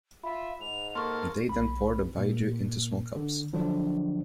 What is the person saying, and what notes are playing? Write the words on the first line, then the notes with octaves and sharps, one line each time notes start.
They then pour the "baijiu" into small cups.
F4 E5 B5
G#2 F7
A#3 A4 C6 C#6 F6
B1 B5
A#2 A#3
D3
D3 F3 F#3 D4